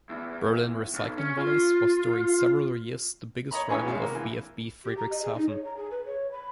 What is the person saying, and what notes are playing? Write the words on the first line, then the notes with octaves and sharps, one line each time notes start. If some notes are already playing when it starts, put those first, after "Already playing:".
Berlin Recycling Volleys was during several years the biggest rival of VfB Friedrichshafen.
E2
B1
C#4
F4
C#5 D#5 A#5 B5
C2 E3 B3 C#4 G#4 C#5
G#1 C3 G#3 F5
A#3
E3
G4
A#5
D#5
G#4
D#4
C#5
A#5
G#4
B4
C#5
B5